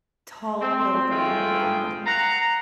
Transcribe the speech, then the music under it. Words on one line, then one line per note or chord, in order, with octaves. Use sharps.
tall building. You're on, like
C4
G#3 A3 F4 G#4 G5
F5 F#5 A#5